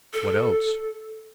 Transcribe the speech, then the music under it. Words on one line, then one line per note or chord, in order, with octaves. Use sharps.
"What else?"
A4